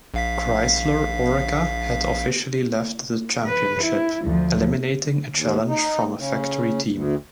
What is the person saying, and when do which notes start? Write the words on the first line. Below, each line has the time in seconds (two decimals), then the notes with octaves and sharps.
Chrysler-Oreca had officially left the championship, eliminating a challenge from a factory team.
0.14 A#1 F5 B6
3.46 B4
3.83 E4
4.24 D2 F3
5.33 D#2
5.68 D#4
6.16 C#3
6.91 D2